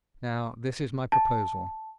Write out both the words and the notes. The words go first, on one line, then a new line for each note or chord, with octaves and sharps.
Now, this is my proposal.
A5